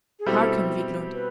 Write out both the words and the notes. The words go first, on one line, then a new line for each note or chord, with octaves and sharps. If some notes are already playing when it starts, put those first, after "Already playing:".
Hearken, Viglund!
G#4
B2 G3 C4 E4 G4 A4
B4